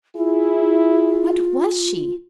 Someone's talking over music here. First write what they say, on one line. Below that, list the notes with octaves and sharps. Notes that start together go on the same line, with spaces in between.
What was she?
E4 F4 G#4